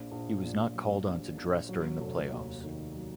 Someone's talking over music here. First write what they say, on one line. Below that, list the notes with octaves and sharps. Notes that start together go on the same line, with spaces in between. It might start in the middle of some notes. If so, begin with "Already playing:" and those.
He was not called on to dress during the playoffs.
Already playing: A#1
A#1
A#2
F#3
A#1
A#1
F#3
F1
D#2
D#3
F#3